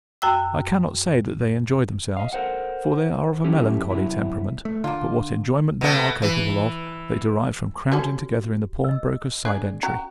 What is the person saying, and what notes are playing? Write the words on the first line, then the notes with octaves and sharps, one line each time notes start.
I cannot say that they enjoy themselves, for they are of a melancholy temperament; but what enjoyment they are capable of, they derive from crowding together in the pawnbroker's side-entry.
F#2 F#4 G5 E6
D#5 F5
A4 A#4 C5 F#5
F3 F#3 C#4 E4 G4 A4
F#2 C3 F#3 E4
A3
D3 A#3 F4
B2 A3
E3
G3 C#4 F#4 A4
D#5 E6
D4 G#4 D5
C#4 F#4 A#5